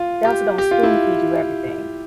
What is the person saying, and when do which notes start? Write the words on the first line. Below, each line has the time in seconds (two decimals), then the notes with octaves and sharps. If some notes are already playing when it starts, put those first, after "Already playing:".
they also don't spoon feed you everything.
Already playing: F4
0.25 G4
0.58 G4
0.71 F4
0.83 E4